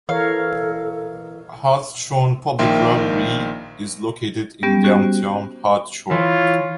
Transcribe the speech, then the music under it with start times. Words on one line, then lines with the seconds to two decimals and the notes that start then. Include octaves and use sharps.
Hartshorne Public Library is located in downtown Hartshorne.
0.09 E3 A4 A#4 C#5 F5
2.59 A#1 D#3 A#3 E5 G5 C6
4.63 G3 B3 C#4 G4
4.84 C#4 F#4 G4 C5
6.11 E3 F4 C#5